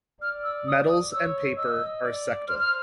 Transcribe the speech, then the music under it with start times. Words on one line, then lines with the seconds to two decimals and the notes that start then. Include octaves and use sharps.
Metals and paper are sectile.
0.21 D5 F6
0.44 E6
0.67 D#6
0.89 D#6
1.12 C#5 E6
1.57 D#5 E6
2.03 D5
2.48 C5 F6
2.60 F6